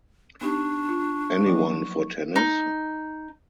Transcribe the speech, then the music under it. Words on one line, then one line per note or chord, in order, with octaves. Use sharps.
Anyone for tennis?
B3 D4 D#4 G4 C#6
F4
F3 F#3 A#3
D#4